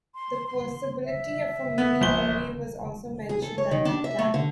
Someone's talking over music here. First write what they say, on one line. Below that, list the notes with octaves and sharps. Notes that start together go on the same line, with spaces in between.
The possibility of a Millie movie was also mentioned at that time.
C6
C6
E5
B3
A#1 G7
G#4
A4
C#5
D#3
D4
E5
A3
D3